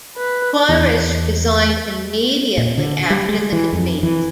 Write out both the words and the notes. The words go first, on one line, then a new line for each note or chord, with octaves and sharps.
Corish resigned immediately after the defeat.
B4
E2
A#2
D3
G3
G#3
E3
F2
E3